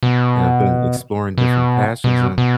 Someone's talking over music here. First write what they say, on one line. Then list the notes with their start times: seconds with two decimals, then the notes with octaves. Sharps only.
and I've been exploring different passions, and
0.03 B2
1.38 B2
2.04 B2
2.38 B2